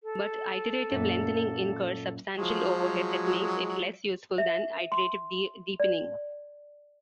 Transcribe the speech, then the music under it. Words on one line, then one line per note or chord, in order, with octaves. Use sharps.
But iterative lengthening incurs substantial overhead that makes it less useful than iterative deepening.
A4
F#2 A#2
F3 F#3 G#3
E5
C6
D5